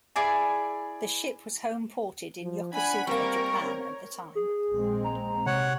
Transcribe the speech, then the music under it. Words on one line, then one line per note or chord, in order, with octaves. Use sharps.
The ship was homeported in Yokosuka, Japan, at the time.
E4 G#4 D5 G#5
F3
D4 F#5 G#5 B5
G3 A#3 C4 A#4 C#6
C4 C#5
G#4
A#1 G#3 C4
A#5
C3 C#5 F#5